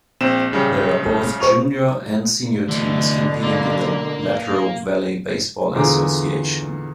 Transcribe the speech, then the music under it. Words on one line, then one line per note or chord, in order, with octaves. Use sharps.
There are both junior and senior teams competing in the Latrobe Valley Baseball Association.
A#1 C4 E7
A#1 C#3 G3
C5 C#6 F7
D2 B2 D3 E3
A#3
E2 D3 F4 G#4 A#5 D6